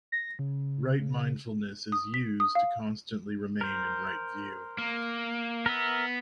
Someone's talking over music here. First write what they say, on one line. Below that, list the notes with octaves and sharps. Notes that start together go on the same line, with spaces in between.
Right mindfulness is used to constantly remain in right view.
A#6
C#3
D#6
B6
D#6
F5
A#4 C5
A#3
B3 A#4 E5